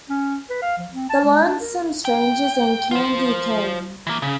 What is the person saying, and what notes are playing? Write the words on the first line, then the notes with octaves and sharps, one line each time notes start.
The Lonesome Strangers, and Candye Kane.
C#4
B4
F5
F3
C4
A5
G#3
D4
A#4
G5
F4 C5
E3 A#3
C#3